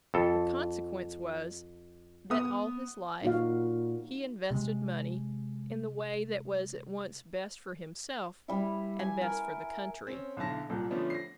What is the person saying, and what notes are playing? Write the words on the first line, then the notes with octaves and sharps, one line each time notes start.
The consequence was, that all his life he invested money in the way that was at once best for himself and best for the country.
F2 A4
B3 D#6
A#2 D#4 F#4 F5
C3 G#3
G3 E4
G#5
A#4
C4 C#4
B1 D3 E4 A5 A#6
C2 A#2 A4
D3 F3 A3 B3 C#4 D4
A#6 C7